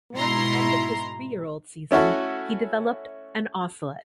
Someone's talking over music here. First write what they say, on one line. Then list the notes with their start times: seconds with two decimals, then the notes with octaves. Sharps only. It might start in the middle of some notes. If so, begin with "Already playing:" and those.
Toward the end of his three-year-old season, he developed an osselet.
0.14 G#2 B2 E4 A#5 C6
1.91 A3 C#4 E4 F#4 A4